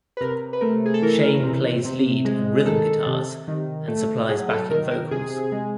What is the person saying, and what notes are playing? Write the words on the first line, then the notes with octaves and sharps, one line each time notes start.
Shane plays lead and rhythm guitars, and supplies backing vocals.
B4
C3 A#4
B4
A3 A#4
G#4
A4
E3 A#4
C3
C3
G#3
D#3 A4
C3
D#3
A3
F#3 G#4
A4
D#3 A#4
A#4
C3 G#4
G#3